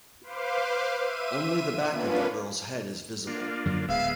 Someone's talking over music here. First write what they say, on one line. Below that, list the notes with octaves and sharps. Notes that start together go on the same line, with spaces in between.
Only the back of the girl's head is visible.
B4 C5 F5 C6 D6
E5 D#7
A#3 B3 C#4 D4 F4 B4
A#3 D4 F4
F#2 D3 F#3
D1 G#3 B3 E5 F5